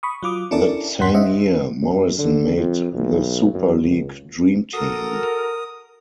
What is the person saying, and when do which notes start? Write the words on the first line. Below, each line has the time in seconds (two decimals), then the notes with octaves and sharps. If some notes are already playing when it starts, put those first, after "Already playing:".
That same year, Morrison made the Super League Dream Team.
0.03 B5 C#6 D#6
0.23 F#3 F4 D6 D#6
0.51 C#4 D4 E4 A4 A#4 D5
1.00 E2 G2 F#3 F#5 C6 B6
1.14 C#4 C5 D#5 E5 F#5
1.82 F#2
2.18 D3
2.57 F2
2.93 B1
3.54 F#2
3.83 C#2
4.73 F#4 A4 A#4 D#6